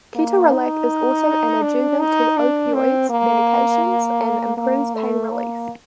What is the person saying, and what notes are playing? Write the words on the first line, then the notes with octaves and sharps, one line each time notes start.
Ketorolac is also an adjuvant to opoids medications and improves pain relief.
A#3
D#4
D4
D#4
D4
C4
A#3
A#3
A3
A#3